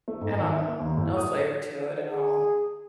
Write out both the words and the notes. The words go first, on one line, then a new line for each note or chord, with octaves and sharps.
I don't know, no flavor to it at all.
A3
G#2
D#3
E5
A#3
D#2
A2
D#6
G#4